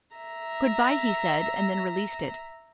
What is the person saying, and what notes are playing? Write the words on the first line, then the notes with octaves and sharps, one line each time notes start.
"Good-bye," he said, and then released it.
E5 A#5